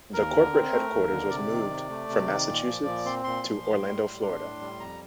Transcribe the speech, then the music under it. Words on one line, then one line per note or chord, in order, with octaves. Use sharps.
The corporate headquarters was moved from Massachusetts to Orlando, Florida.
D#2 A#4
D3
C4
A3
D#2
D3
C3 D5
D#3
C3
A3
C3
D#3
A#2
F3
A#2
C4 C6
A#2 C6
F3
A2
G3
A2
D4 C6
A2
G3
F2 A#5